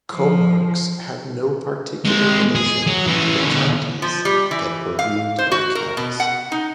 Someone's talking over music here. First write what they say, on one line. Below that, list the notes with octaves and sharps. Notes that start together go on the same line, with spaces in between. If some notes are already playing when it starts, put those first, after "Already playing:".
Comarques have no particular relation to the "counties" that were ruled by counts.
F3
G#3 C4
G#4
F#3
E3 C#4
B2 D3
F3
G3
E3
F5
C5
F#4
A#4
B2
F#5
D#4